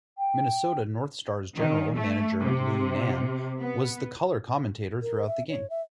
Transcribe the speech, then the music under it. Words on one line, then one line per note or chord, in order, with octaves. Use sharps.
Minnesota North Stars general manager Lou Nanne was the color commentator throughout the game.
G5
D#3
A3
C3
B3
A#4
E5
C#5
E5